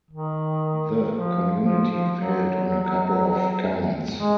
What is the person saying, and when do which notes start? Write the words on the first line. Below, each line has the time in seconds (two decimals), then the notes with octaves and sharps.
The community failed on a couple of counts.
0.11 D#3
1.13 F3
1.63 F3
1.89 F3
2.15 F#3
4.18 G#3